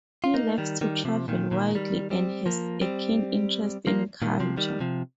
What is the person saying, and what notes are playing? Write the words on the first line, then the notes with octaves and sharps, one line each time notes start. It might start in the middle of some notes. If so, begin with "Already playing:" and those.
He likes to travel widely and has a keen interest in culture.
F4
A#3 D#4
D#3 G3
D#3 G3
C3 F3
A#2 D#3
A#2 D#3
D#3 G3
G3 C4
F3 A#3
G3 C4
F3 A#3
A#2 D#3
C3 F3
D#3 G3
C3 F3